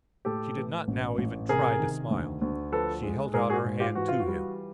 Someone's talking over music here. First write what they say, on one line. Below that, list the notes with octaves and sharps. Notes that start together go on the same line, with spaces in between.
She did not now even try to smile, she held out her hand to him.
A2 G4 A4
E3
A1
A1
C3 G#4 A#4
D#3
D2
D2
F3 A4 B4
G#3
G#2 G#4 A#4
F#4 G#4
G#2
F4 G4
E3 F#4
F4
F#4
G3